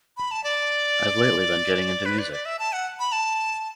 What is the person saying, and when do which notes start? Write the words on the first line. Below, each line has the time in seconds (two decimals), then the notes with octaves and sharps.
I've lately been getting into music.
0.17 B5
0.31 A5
0.44 D5
2.05 B4
2.19 D5
2.32 D5
2.45 E5
2.59 A5
2.73 F#5
3.00 B5
3.12 A5